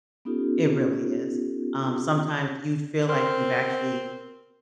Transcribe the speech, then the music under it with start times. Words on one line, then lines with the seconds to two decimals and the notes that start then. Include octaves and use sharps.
it really is. Um, sometimes you'd feel like you've actually
0.25 B3 C#4 D#4 F4 G4 A4
3.08 C4 A#4 C6 F6